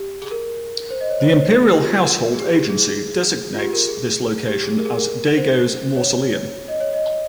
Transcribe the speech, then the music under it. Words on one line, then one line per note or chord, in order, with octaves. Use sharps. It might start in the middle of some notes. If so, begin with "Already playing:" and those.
The Imperial Household Agency designates this location as Daigo's mausoleum.
Already playing: G4
G#4
A#4
C5
D#5
C#5
C5
C#5
C5
A#4
G#4
G4
F4
G#4
G4
G4
G#4
F4
G4
A#4
G#4
G4
G#4
A#4
G#4
A#4
C5
C#5
D#5
C#5
D#5